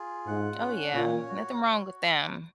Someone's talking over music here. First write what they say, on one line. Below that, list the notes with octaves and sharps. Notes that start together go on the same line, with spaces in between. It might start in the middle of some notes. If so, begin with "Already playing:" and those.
Oh, yeah. Nothing wrong with them.
Already playing: F4 G#4
G#2 F#5
C#4
A#2 C#5
F#4
C#5